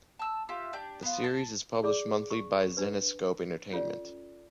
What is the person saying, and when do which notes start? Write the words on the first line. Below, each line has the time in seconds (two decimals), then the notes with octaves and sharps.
The series is published monthly by Zenescope Entertainment.
0.19 A5 E6
0.49 F4 G4 E5
0.73 D4 G4 G6
1.03 B3 F4
1.24 A5
1.83 G#4 D5 D6
2.31 C#6
2.77 D4 B4
3.72 C#4 F4 A4 D5